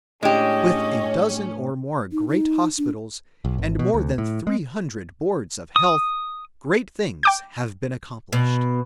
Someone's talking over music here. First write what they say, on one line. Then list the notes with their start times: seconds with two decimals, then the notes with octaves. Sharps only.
With a dozen or more great hospitals and more than three hundred boards of health, great things have been accomplished.
0.23 A2 G#3 C#4 D4 G4 D#5
2.12 D#4
2.29 D#4
2.78 D4
3.45 B1
3.58 G#1
3.79 B2
3.94 D2
4.18 A2
4.47 G#3
5.76 D#6
7.23 G5 D6 G6
8.33 B2